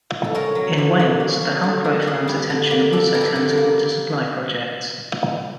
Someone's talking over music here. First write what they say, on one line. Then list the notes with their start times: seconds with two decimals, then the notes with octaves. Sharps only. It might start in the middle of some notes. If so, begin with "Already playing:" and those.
In Wales, the Halcrow firm's attention also turned to water supply projects.
0.24 A4
0.35 C#4 A#4
0.55 F#3
0.78 D3
0.99 A#3
1.20 C#4
1.42 F#3
1.63 D3
1.84 A#3
2.07 D4 G#4
2.28 G3
2.50 D3
2.71 A#3
2.93 D4 A4
3.14 G3 A#4
3.21 A4
3.36 D3
3.51 A#4
3.58 A#3